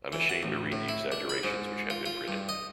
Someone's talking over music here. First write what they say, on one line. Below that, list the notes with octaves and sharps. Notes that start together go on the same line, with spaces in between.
I'm ashamed to read the exaggerations which have been printed"".
E3
F#5
A1
A2
E4
D4
B5
G#2
F4
F4
G2
D#5